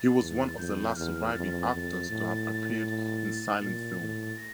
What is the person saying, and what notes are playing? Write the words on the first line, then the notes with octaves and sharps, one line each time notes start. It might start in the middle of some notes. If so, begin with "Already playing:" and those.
He was one of the last surviving actors to have appeared in silent film.
Already playing: A6
E2
A6
F2 G6
E2 F6
F2 A6
F2
A2
A#2 A6
A2
A#6